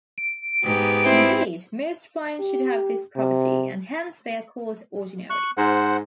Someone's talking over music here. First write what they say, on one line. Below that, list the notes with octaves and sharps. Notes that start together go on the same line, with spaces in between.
Indeed, most primes should have this property, and hence they are called ordinary.
D7
G#2 B3 G4
C4 E4
G4
C3
C#6 F#6
G#2 C5 F#5